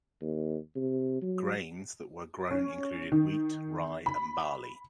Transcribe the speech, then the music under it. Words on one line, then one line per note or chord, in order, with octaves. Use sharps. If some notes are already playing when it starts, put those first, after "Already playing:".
Grains that were grown included wheat, rye and barley.
D#2
C3
F#3
C#4
D#3
B5